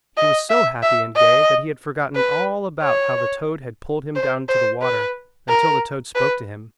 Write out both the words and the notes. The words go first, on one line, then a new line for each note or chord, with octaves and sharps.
He was so happy and gay that he had forgotten all about how the toad had pulled him down to the water until the toad spoke to him.
D#5
E5
E5
D#5
B4
C#5
C5
C5
B4
A#4
B4